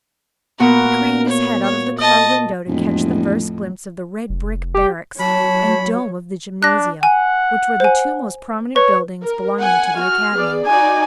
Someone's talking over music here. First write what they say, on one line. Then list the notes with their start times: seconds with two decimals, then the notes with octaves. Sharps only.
He craned his head out of the car window to catch the first glimpse of the red brick barracks and dome of the gymnasium, which were the two most prominent buildings belonging to the Academy.
0.60 A#2 B3 F#4 A#4
1.28 C#5
1.63 C#5
1.98 D#5 A5
2.68 E1 F2 A2
4.29 F1
4.74 G4
5.19 F#3 C#5 A5 B5
6.63 D4 F#6 A#6
7.03 F#5 G#5
7.80 C5 G#5
8.76 B4 C#5
9.23 A#4
9.61 F#5 G#5
9.98 F#4 F6
10.33 B3 G#4 D5
10.66 D#4 F#4 D5 G#5